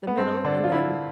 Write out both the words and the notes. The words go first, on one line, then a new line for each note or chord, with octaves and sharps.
the middle and then
B3
G2 C4
D3 D4
F4
D3 E4